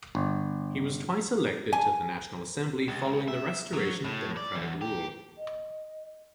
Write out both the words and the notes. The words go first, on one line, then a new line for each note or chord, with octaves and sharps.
He was twice elected to the National Assembly following the restoration of democratic rule.
G1
G#5
C#2
E5
F#3
A2
D5
E2
G4
D#5